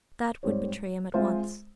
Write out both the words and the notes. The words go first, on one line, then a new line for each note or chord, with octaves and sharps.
That would betray him at once.
G#2 G3 C4 G4 C#5
G#3 C4 F4 C5 E5